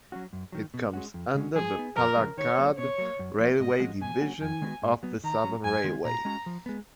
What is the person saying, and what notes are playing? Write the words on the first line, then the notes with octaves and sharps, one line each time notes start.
It comes under the Palakkad Railway Division of the Southern Railway.
F#3 C#4 F#4
F#2
D#3 F#3
B2
G#3 C#4 F#4
F2
C#3 G#3 C#4 F#4
F3 G#4
B3 D#4
F2 A#4
C#3 F3 G#3
D#3 C#5
F#3 A#3
B2 C#5
F#3 A#3
F#2
F3 A#3
G#2 D#5
F3 G#3 C#4 F#4
B2 G#5
F#3 A#3 C#4 F#4
F2 G#5
D#3 G#3 B3 F#4
G#2
F#3 B3
D#3 A#5
F#3 C#4
F#2 G#5
D#3 G#3 B3 F4
A#2 A#5
G#3 C#4 F#4
F3
G#3 B3